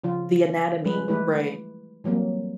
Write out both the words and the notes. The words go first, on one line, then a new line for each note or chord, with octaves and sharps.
The anatomy. Right.
C#3 F3 F4
F3 G3 G#3 B4
E3 G#3 A3 E4 G4 B4
E3 F#3 G3 A#3 C4